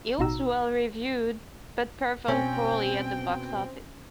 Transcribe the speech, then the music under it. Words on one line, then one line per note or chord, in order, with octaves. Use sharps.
It was well reviewed but performed poorly at the box office.
A1 B2 D#4 F#4 A#5 E6
B2 C4 C#4 G5